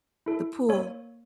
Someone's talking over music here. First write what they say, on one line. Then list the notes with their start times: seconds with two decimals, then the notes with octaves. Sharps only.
the pool,
0.26 E4 A4
0.69 A#3 C#5